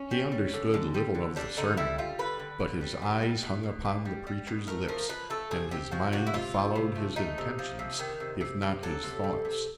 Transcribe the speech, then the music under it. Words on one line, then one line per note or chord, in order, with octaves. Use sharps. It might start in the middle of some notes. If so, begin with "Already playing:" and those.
He understood little of the sermon; but his eyes hung upon the preacher's lips, and his mind followed his intentions if not his thoughts.
Already playing: C#4
G3
G3
D3
D3
G3
D3
G3 D4
D3 D#4
G3 E4
G3 F4
D3 B4
D3
D3
G3
B2
G3
B2
B2
B2
G3
G3
B2
A3 A#4
F3 A#4
F3 B4
A3 A4
C3 G#4
C3 G4
F3 F#4
C3 F#4
E4
C3 F4
C3
C3
A3
A3 D#4
C3
F3
C3
D#3
C3
C3
C3
F#3 A4
C3
C3
C3